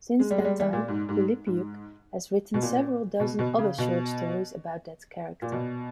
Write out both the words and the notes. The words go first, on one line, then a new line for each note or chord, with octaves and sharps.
Since that time, Pilipiuk has written several dozen other short stories about that character.
G#3
G3
G#3
G3
G3
A#2
G#2
G#2
G#2
B2
A#2
B2
B2
C#3
B2
A#2
B2